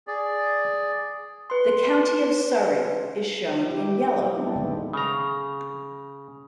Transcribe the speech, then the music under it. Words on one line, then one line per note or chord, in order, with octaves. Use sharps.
The county of Surrey is shown in yellow.
G#4 D5
B4 C6
E4 G4
F#3 G3
G3 A3 B3 C4 D4 E4
A#2 D3 D#3 G#3 A3 B3
C#3 A#5